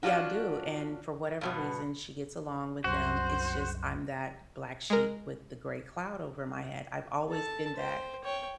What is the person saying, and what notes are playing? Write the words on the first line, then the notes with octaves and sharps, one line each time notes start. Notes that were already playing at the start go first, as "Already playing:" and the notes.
yeah, I do, and for whatever reason, she gets along with them. It's just I'm that black sheep with the gray cloud over my head. I've always been that,
C#4 D4 F4 F#4
G2 B2 B3
C2 F#2 F#4 C5
G#3 A#4
A4 A5
C5 G5
C#5 G5